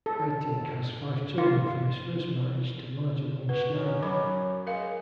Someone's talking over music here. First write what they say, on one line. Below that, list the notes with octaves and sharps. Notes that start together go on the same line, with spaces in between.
Haitink has five children from his first marriage to Marjolein Snijder.
A4
F4
F#4 B4
F#2
F#3 C#5 B5
G#3 A#4 F5